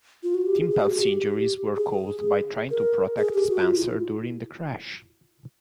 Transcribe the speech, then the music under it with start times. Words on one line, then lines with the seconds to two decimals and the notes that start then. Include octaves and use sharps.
Tim Pelt's injuries were caused by trying to protect Spencer during the crash.
0.23 F4
0.35 F#4
0.46 G4
0.58 G#4
0.70 G#4
0.81 G4
0.90 F#4
1.01 G4
1.76 G#4
2.71 A#4
3.18 G#4
3.33 G4
3.49 F#4
3.62 F4
3.77 E4